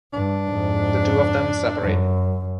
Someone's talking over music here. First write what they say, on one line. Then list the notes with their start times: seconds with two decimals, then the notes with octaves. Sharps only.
The two of them separate.
0.13 G2 D4
0.49 F2 G#2
1.80 F#2